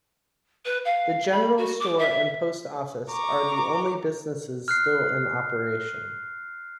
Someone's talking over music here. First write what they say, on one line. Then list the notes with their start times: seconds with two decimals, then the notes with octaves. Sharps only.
The general store and post office are the only businesses still in operation.
0.65 B4
0.85 F5
1.31 B5
1.57 F#4
1.80 D6
1.99 E5
3.09 A#5 C#6 D6
4.68 F6 F#6 C7